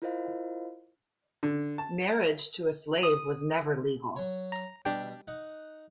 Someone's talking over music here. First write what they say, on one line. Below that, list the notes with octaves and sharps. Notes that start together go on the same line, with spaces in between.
Marriage to a slave was never legal.
E4 F4 A#4 C5 D#5 F5
D3
A5
D#6
F#3 C#5
A#5
B2 G3 D4 G4 G5
D#4 F#5